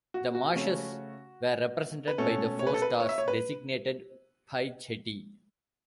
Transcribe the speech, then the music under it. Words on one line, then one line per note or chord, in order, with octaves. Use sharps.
The marshes were represented by the four stars designated Phi Ceti.
F#4
F#4
C#3 A3 C#4
B4
B2 A3 C#4 A4
C#5
B4
A4
B4
C#5
E5
C#5
B4